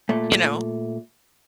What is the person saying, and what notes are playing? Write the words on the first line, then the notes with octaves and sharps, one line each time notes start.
you know?
A#2 A3